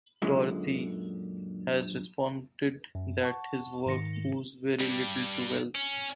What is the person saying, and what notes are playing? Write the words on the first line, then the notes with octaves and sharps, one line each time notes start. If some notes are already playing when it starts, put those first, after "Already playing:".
Doherty has responded that his work owes very little to Wells.
F#2 A#2 D3 G#3
F#2
F#5 A5 C#6
G#2 D#3 A#6 C#7
G2 G3
C#4